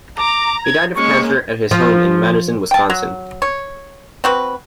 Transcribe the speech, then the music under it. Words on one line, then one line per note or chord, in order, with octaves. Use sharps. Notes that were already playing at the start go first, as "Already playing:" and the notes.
He died of cancer at his home in Madison, Wisconsin.
A#5 D6
G#6
G#3 A#3 C#4 C#6
F3
G5 A5
F#3
C#5
C4 F#4 B4